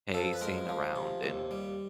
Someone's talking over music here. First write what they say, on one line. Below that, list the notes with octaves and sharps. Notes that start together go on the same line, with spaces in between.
hey, sitting around and
F2 A4
B4
G#3 A#4
F3
C3
D#2
G3